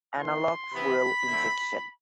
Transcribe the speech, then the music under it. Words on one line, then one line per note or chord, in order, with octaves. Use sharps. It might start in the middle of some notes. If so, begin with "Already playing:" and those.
Analog fuel injection.
E3 B3 E4 C6
C3 E3 B3 E4 B5
D3 A3 C4 E4